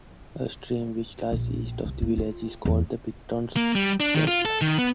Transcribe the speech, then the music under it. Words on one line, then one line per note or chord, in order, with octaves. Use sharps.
A stream which lies east of the village is called the Picton Stell.
A#1
C2
A#3
F4
E2
A#3
G3
D4
D#3
F4
A4
D#3
B3